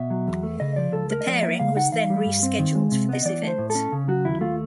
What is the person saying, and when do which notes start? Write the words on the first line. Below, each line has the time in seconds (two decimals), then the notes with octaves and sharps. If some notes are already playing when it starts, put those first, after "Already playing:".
The pairing was then rescheduled for this event.
Already playing: B2 E5
0.10 F#3
0.27 E2
0.43 A3
0.60 C#3 D#5
0.76 F3 D5
0.93 C#2 A4
1.10 A3 A#4
1.21 D#5
1.27 F3 D5
1.43 A#3 E5
1.60 C#3 F5
1.76 D#4 F#5
1.92 E3 F5
2.10 G3
2.26 G2
2.43 C4
2.59 D#3
2.75 G#3
2.92 C3
3.09 B3 D#5
3.25 E3 D5
3.42 A3
3.47 C5
3.58 A2
3.70 A4
3.75 C#4
3.92 C#3
4.08 F#3 F#4
4.25 D#2 E4
4.41 A3 F4